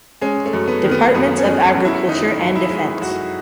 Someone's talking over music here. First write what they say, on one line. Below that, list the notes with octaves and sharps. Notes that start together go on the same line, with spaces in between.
Departments of Agriculture and Defense.
G#3 C#4
A3
F#2
B3
D#3
B3
F#2 B3
C#4
G#3
C#4
F#2
E4
D#3 D#4
F#2
E4
G#3
F#2 F#4